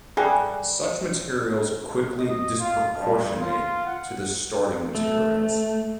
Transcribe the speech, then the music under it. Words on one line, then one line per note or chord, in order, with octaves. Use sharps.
Such materials quickly disproportionate to the starting materials.
G3 G#4 A4 F#5 G#5
D#5
F4
G2
F4
F#5
A3